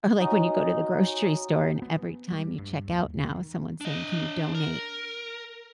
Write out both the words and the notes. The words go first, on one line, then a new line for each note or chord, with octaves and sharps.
Or like when you go to the grocery store and every time you check out now, someone's saying, "Can you donate"
C#4 D#4 F#4 D#5
B3
G3
G2
D#2
D#3
D4 D#5
A#4